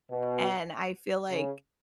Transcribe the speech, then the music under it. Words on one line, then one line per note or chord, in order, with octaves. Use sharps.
and I feel like
B2
C#3